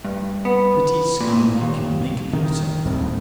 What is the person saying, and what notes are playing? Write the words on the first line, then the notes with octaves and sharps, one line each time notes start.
A pretty skylark you'll make of yourself!
G2
B3
A#2
D#2
D#3
D#2 A2 G3 C4